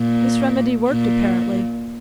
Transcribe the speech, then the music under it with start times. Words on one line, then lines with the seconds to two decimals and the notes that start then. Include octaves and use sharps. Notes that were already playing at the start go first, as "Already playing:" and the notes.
This remedy worked, apparently.
Already playing: A#2
0.89 A#2